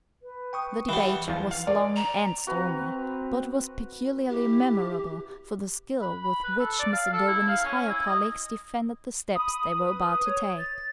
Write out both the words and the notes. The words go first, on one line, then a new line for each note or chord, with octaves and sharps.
The debate was long and stormy, but was peculiarly memorable for the skill with which Mr. Daubeny's higher colleagues defended the steps they were about to take.
B4
G5 C#6 D#6
E3 G3 F#5
E2 F3
F5
D5
A#5
C4 F#4 B4 A#5
E4 G4
B5
B5
B4
A4
D5
F5
A4
E4
F5
C#4
E4
D#5
B5 D#6
B4
C#5
A6